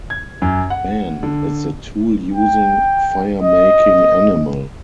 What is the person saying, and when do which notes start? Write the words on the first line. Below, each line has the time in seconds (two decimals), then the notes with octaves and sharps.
Man is the tool-using, fire-making animal.
0.10 G#6
0.42 F#2
0.70 F#5
1.23 D3
2.34 G5
3.42 D#5